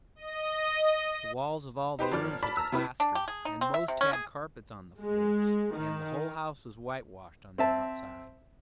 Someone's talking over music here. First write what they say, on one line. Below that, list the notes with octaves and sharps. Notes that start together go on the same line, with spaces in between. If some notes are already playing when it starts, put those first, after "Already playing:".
The walls of all the rooms was plastered, and most had carpets on the floors, and the whole house was whitewashed on the outside.
D#5
D#4 G4 B4 C5
G1 F3 D5 F6
D5 A5 B5 B6
A5 A#5 E6 F6
C3 E4 B4
D4
G4
G#4
D#4
C4
E5
C3
C#4
G#4
G#3
D#3
C4 E5 A5